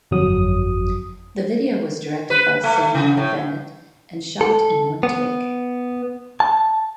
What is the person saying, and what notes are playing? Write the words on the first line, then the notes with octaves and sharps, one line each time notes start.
The video was directed by Sam Bennett and shot in one take.
G1 F2 F#3 D#6
B4
A3
C#3
A2
A4
B3
A5